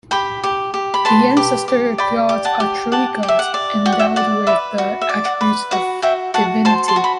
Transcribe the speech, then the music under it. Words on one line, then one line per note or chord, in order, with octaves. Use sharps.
The ancestor-gods are truly gods, endowed with the attributes of divinity.
G4 G5 B5
G4
G4
B5
B4 A5 C6
G4
G4
D5 G5 B5
G4
F#5 A5
G4
G4 F#5 A5
G4
E5
F#5
D5
F#4 G5
F#5
E5 G5
D5 F#5
B4 E5
F#4
E5
D5
F#5
B4
F#4 F#5
F#4 E5 G5
F#4 F#5 A5
C5 A5 C6
A5 C6
F#4
B5